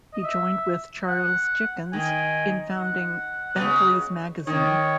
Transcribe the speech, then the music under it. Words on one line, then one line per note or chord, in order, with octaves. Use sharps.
He joined with Charles Dickens in founding "Bentley's Magazine".
D#5
E5
F#5
D#3 G#5
F#5
B2
C#3
D#3 C#5